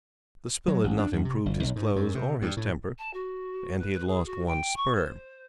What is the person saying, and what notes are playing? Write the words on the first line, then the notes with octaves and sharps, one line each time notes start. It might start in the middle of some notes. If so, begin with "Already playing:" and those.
The spill had not improved his clothes or his temper, and he had lost one spur.
F#3
A1
D4
F#2
C3
G1
B1
G#2
F#2
C3
G2
A2
A5
F#4
B4
B4
G#4
F#4
G5
C#6
C5